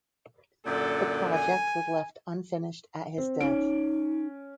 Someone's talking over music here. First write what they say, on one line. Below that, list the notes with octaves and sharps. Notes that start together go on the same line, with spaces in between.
The project was left unfinished at his death.
F#2 A#2 D3 A4
G#5
C4
C#4 D#4 D7